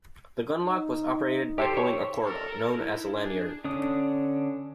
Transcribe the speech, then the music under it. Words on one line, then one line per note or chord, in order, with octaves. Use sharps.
The gunlock was operated by pulling a cord, known as a lanyard.
D#4
G4 A4 C5
C#5
A4 A#4
D#4 E4
D4 G#4
D3 C#4 D4 D#6